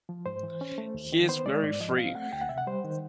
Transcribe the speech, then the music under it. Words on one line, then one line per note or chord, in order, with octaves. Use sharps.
He's very free.
F3
G#2 C5
E3
C#4
A3
D#2
D#3
B3 C5
G#3 D5
G#2 D5
F3 D#5
C4 F5
A3 F#5
D2 G5
F#5
C3 E5
F#5
G3 C5
D#3